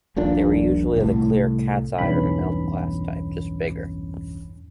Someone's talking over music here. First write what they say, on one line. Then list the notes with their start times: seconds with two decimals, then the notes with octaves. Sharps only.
They were usually of the clear "cat's eye" or milk glass type, just bigger.
0.16 D#1 A#1 A#2 D4
0.96 C2 A2
1.98 B1 E2 G2 E3 C#4 B5